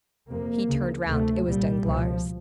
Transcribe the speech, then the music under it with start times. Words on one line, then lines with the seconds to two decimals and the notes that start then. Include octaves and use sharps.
He turned round; it was Danglars.
0.29 F2 C3 A#3
0.68 D2 C#3
1.07 D2 C3 A3
1.46 C2 A#2 G3
1.85 C#2 B2 F3